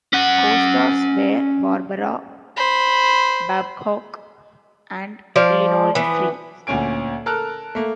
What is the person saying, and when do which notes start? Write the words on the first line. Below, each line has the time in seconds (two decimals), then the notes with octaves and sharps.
Co-stars were Barbara Babcock and Leonard Frey.
0.13 C#4 F#5
2.57 C5 B5
5.36 F3 D5 F5
5.95 E3 B3
6.67 D2 A#2 C#4 G#5 D7
7.26 A4 A#4 A5 F6 F#6
7.75 A3 A#3